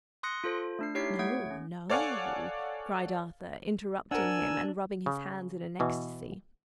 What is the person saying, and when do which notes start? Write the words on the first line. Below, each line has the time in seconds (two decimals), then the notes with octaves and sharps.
'No, No,' cried Arthur, interrupting him, and rubbing his hands in an ecstasy.
0.23 C6 D#6 F#6 A#6 C#7
0.44 F4 A4 C5
0.79 A3 D4 C7
0.95 D#4 E4 G4 C#5 B6 C7
1.19 A3 C#5 F#5 G#6 D7
1.51 C#4
1.90 A4 C#5 D5 F5 F#5 G#5
4.11 D4 A#4 C5 F#5 G#5 E6
5.06 C#3
5.80 B2 E3